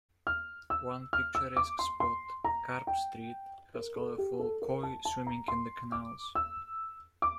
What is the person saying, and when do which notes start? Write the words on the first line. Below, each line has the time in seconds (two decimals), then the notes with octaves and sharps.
One picturesque spot, "Carp Street", has colorful "koi" swimming in the canals.
0.27 F6
0.70 E6
1.13 F6
1.35 E6
1.57 D6
1.79 C6
2.00 C6
2.44 A#5
2.87 G5
3.75 A#4
3.96 A4
4.18 G4
4.39 A4
4.62 A#4
4.83 A5
5.05 A5
5.27 A#5
5.48 C6
5.92 D6
6.35 E6
7.22 D6